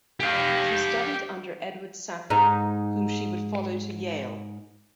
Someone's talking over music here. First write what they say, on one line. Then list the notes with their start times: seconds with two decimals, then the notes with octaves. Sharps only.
She studied under Edward Sapir, whom she would follow to Yale.
0.20 G4 F5
2.30 G#2 D#4